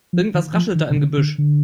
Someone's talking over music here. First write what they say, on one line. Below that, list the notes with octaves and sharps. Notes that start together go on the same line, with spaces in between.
Irgendetwas raschelt da im Gebüsch.
F3
D#3
F3
D#3
C3
D3
D3
D3